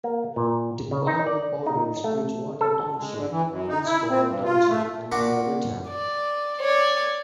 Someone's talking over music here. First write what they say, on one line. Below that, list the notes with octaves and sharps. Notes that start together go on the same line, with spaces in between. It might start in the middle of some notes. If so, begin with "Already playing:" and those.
The borough borders Bridgewater Township, Hillsborough Township and Raritan.
A#3
A#2
C#3
D#4
D5
D#4
A3
A4
G#3
D3
E3
F#2
D#4
E4
C4
G2
F4
A3
A#2 D4 F#4
D5
C#5 D5